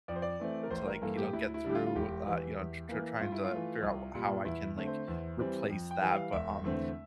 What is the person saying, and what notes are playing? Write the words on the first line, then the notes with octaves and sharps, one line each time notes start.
to, like, you know, get through, uh, you know, tr tr trying to figure out how I can, like, replace that, but, um,
F2 D5
C5
D5
E3 A3 C4
A#4
A1 C5
A#4
G2 E3 A#3 A4
G4
D2 E4
E4
D3 G3 G4
F4
F4
E1 G4
E2 E3
E2
E3 A#3
G2 F4
E4
F4
E3 A3
C2
A#2 G3
E2 E4
D3 A3 C4
C5
E2
E3 G3 C4
F2
G5
E3 G3
F5
E1 E5
E2 D3 A3 C4